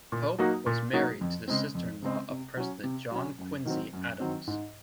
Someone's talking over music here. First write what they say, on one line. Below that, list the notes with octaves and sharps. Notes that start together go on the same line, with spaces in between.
Pope was married to the sister-in-law of President John Quincy Adams.
A#2
F#3 A#3 D#4 F#4
A#2
F#3 A#3 D#4 F#4
F2
C#3 G#3 C4
F2
C#3 G#3 C4
C3
F#3 C#4
C3
F#3 C#4
F#2
D#3 F#3 C4
F#2
D#3 F#3 C4
G#2